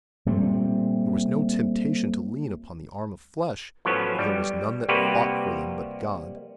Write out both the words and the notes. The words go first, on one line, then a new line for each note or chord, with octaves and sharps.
There was no temptation to lean upon the arm of flesh, for there was none that fought for them but God.
A#2 G3 A3 C4
A2 F3 F#3 B3 C#4
G3
C3 G3 A#3 F#4 G4 B4